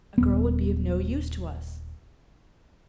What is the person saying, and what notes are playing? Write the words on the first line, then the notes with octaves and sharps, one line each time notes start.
A girl would be of no use to us.
D#1 B3